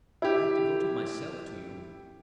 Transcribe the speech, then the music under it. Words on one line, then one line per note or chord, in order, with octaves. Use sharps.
I have devoted myself to you.
E4 G4